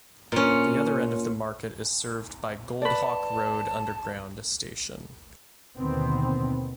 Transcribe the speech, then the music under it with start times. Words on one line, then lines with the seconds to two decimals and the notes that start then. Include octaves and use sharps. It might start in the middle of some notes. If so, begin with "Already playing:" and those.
The other end of the market is served by Goldhawk Road Underground station.
0.32 A#2 C#4
2.82 B4 D5 A5
5.78 D#2 B2 D3 D#3 B3 C4